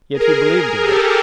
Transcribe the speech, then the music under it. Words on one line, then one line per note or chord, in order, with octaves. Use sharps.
Yet he believed in it.
G#4 A#4
G4 A4